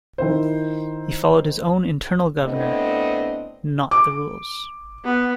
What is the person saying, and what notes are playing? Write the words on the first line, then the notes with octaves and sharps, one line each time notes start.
He followed his own internal governor not the rules.
D#3 E4 C5
A2 B3 C4 D4 D#5
D6
B3